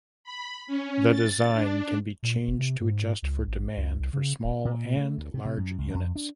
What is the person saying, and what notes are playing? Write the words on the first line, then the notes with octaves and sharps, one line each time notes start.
The design can be changed to adjust for demand for small and large units.
B5
C#4
A6
D4
A#2
F1
C3
G#2
C#2
A1
C#2
C2
C#3
D#1
A#2
A3
D2
C3
C3
F#2
C#2
F2
D4